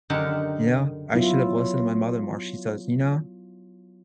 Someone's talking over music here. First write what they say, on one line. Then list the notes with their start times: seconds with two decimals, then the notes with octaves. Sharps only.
you know, I should've listened to my mother more, she says, "You know,
0.10 F#2 D3 D#3 G4 A#4 F#5
1.14 F#3 B3 E4 F4